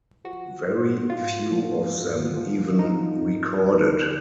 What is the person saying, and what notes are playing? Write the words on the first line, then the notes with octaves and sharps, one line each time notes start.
Very few of them even recorded.
F3 F#4
G#2
G#2 F4
F3
G#2
F3
F3 D#4
F3
D2